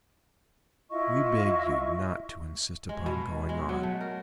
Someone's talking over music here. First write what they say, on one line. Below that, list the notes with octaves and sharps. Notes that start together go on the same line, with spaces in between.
We beg you not to insist upon going on.
E4 F4 D#5 C#6
G#3
B2
G#3
F#3
A3
A#4